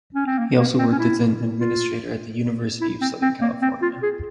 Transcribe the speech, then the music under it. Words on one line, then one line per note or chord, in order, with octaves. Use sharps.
He also worked as an administrator at the University of Southern California.
C#4
C4
A#3
A#3
C4
C#4
E4
F4
E4
C4
C4
A#3
C4
F4
G#4